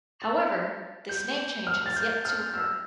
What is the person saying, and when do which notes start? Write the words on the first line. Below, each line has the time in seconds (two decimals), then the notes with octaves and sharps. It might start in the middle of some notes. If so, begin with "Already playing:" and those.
However, this name change has yet to occur.
0.22 A6
1.09 G6
1.67 F6
1.86 A6
1.96 G6
2.25 F6
2.54 E6